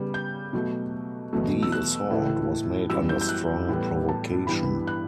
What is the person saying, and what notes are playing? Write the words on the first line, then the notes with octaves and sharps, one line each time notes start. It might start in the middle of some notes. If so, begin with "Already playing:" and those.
The assault was made under strong provocation.
Already playing: C#3 G3 B3
G6
B2 F#3 A3
E2 B2 F#3 A3
E6
F#6
A2 E3 A3
F#2 E3 G3 B3 E6
G6
G6
F#6
A2 E3 G3 B3
A5
G2 E3 G3 B3 B5
F#6